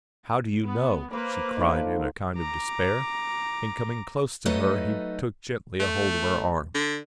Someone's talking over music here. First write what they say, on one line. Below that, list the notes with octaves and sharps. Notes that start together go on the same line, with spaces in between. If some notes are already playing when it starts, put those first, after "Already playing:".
"How do you know?" she cried in a kind of despair, and coming close to her he took gently hold of her arm.
B3
A#3 B4 C5 D6
D3 F3 D#4
A#5 D6
F#3 A3 D#4 A4 B4 D#5
A3
D3